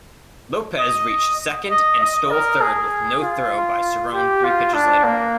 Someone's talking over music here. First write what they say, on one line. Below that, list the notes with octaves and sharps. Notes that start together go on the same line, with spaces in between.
Lopes reached second and stole third with no throw by Cerone three pitches later.
D#5
D#5
D#5
A#4
G#4
F4
G4
F4
D4
A#3